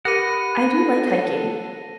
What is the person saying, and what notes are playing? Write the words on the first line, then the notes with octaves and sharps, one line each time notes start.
I do like hiking.
G4 A#4 B4 F#5 D6 A#6 D#7
A4
C#5